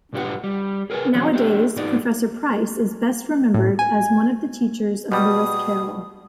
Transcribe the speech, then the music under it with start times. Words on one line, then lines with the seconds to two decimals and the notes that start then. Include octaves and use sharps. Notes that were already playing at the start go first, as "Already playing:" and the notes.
Nowadays, Professor Price is best remembered as one of the teachers of Lewis Carroll.
0.13 B1 G#2 D4 G4 B4 F#5
0.44 G3
0.90 G#4 A#4 B4 F#5 G#5
1.14 B1 E3 F#3 C4 C#4
1.33 D4 G4 E5
1.76 G#2 B3 D#4 D5
3.54 A2
3.79 G#5
5.12 B2 G3 D#6